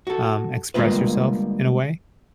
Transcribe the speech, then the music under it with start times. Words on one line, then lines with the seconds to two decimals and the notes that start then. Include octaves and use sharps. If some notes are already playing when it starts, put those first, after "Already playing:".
um, express yourself in a way.
0.07 F#4 A4
0.74 D3 G3 G#3 A#3 F4 B4